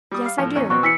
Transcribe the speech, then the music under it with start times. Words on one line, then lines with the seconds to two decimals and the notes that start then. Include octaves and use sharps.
"Yes, I do."
0.11 G3 D#6
0.26 F5
0.38 A2 F3
0.55 E2 A#3 C#4
0.70 B2 B3 C4 C#6 F#6
0.83 E3 E6 B6 C#7